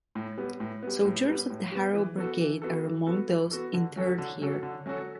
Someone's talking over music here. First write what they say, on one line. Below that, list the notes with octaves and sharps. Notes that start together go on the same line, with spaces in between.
Soldiers of the Harel Brigade are among those interred here.
A2
G3 B3
A2
G3 B3
A2
G3 B3
A2
G3 B3
E3
B3 F#4 A4
E3
B3 F#4 A4
E3
B3 F#4 A4
E3
B3 F#4 A4
D3
F#3 C#4 F#4 A4
D3
F#3 C#4 F#4 A4
D3
F#3 C#4 F#4 A4